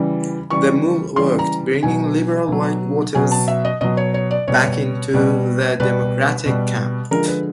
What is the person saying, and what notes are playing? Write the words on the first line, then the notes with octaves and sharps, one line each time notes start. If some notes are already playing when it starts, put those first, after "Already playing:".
The move worked, bringing liberal white voters back into the Democratic camp.
Already playing: C#3 E3 G3
C#3 E3 G3 C#6
C#3 E3 G3 C6
A#5
B2 F#3 G#5
B2 F#3
B2 F#3 G#5
A5
E5
D#5
B2 F#3 D#5
C#5
C#5
D5
B2 G3 C#5
B2 G3
B2 G3 B4
B2 G3
D3 F3 G#3 A#4
B4